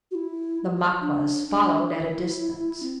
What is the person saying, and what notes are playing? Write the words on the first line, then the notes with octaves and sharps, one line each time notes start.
The Maquas followed at a distance.
F#4
E4
D4
D4
E4
C4